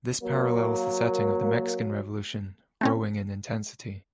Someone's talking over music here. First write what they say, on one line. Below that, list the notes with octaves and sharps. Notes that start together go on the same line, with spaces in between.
This parallels the setting of the Mexican Revolution growing in intensity.
F#3 A#3
A3 C4 C#4